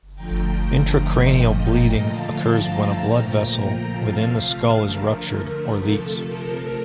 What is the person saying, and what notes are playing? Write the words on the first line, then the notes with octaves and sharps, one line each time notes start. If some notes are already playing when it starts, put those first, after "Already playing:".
Intracranial bleeding occurs when a blood vessel within the skull is ruptured or leaks.
D3 F3 A3 G5 A#5
G5 A#5
A#2 F3 A3 D#5 G5
G5 A#5
D3 F3 A3 F5 A5
G5 A#5
A#2 F3 A3 G5 A#5
C3 F3 A3 F5 A5
D3 F3 A3 A#4
C3 F3 A3 A4
A#4